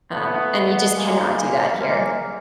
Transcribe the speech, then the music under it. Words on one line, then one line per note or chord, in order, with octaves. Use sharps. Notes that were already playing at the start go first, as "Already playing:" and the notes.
Um, and you just cannot do that here.
A3 B3
G#3 A#3
G#3 A#3